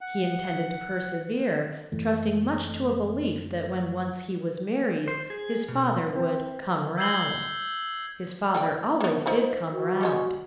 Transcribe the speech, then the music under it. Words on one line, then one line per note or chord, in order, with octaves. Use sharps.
He intended to persevere, trusting much to a belief that when once he was married his father would "come round." His father always did come round.
F#5
F#2 E3 A3
C5
G#4
B2
C4
E6 G6 G#6 C7 F#7 G7
E3 D5 G5
A#3 B3
D#4 F4 B4 C5
F#4
G3 G#3 C#4